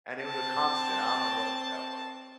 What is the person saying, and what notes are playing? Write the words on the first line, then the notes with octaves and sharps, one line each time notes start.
And it was a constant, I don't know what that was,
C4 A5